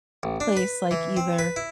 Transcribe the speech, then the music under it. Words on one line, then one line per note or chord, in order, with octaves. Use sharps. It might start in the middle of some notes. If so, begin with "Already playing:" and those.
place, like, either
A1
D4
B4
E3
C4
B4
E4